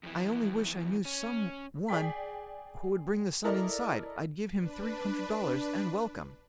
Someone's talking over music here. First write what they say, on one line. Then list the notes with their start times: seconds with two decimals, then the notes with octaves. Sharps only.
I only wish I knew some one who would bring the sun inside; I'd give him three hundred dollars and welcome.'
0.03 F2 E3
1.05 C#4
1.88 G#4 D5 G5 B6
3.44 E4 A4 A#4 D5 D#5
4.56 D4 B4